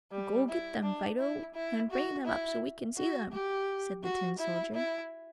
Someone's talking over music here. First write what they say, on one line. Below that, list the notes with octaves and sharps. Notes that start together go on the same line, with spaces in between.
"Go get them, Fido, and bring them up so we can see them!" said the tin soldier.
G3
E4
D4
E4
E4
F#4
E4
F#4
G4
F#4
E4
E4